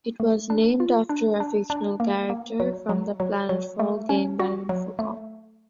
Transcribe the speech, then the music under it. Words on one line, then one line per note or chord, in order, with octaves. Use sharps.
It was named after a fictional character from the "Planetfall" game by Infocom.
A3
D4
F4
D4
D4
D4
A#3
A#3
F#3
F#3
F#3
F#3
A3
C#4
F#4
F#3
A3